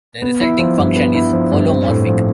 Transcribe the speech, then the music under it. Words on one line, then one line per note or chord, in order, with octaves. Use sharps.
The resulting function is holomorphic.
B3
E4
F3
G2
B3
E4
F3
G2
C4
A2
F3